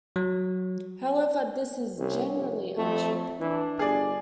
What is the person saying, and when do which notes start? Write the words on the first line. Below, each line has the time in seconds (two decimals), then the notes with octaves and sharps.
However, this is generally untrue.
0.16 F#3
1.99 C2 C#4
2.36 F1
2.77 F2 A3
3.40 E3 D4
3.79 G1 G#4 D5